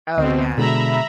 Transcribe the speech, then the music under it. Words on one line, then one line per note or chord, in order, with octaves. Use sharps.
Oh, yeah.
D2 B2 C4 D#5
B2 D3 G#3 F#4 E5 A#5 B5